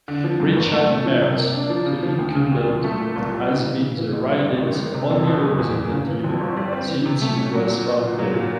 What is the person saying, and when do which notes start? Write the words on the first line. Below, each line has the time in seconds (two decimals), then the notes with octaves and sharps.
Richard Marz, the incumbent, has been the riding's only representative since it was founded.
0.08 D3
0.24 F3
0.40 F#2
0.57 G#1
0.73 A3
0.90 C#4
1.06 F3
1.21 C3
1.38 A#3
1.54 D4
1.70 F3
1.86 C#3
2.03 F3
2.19 D2
2.35 C#3
2.51 D2
2.67 F3
2.84 A3
3.00 A#2
3.16 C2
3.32 G3
3.49 C#3
3.65 E3
3.81 C#3
3.97 E3
4.13 A1
4.30 G2
4.47 A1
4.62 D#3
4.78 G#3
4.94 C3
5.11 F2
5.27 B2
5.43 F#1
5.59 E2
5.76 F#1
5.92 C#3
6.09 E3
6.24 F2
6.41 G1
6.57 G3
6.73 C4
6.89 E3
7.05 C3
7.22 A3
7.37 C#4
7.54 F#3
7.70 A#2
7.87 B3
8.03 A#2
8.19 F#3
8.35 A#2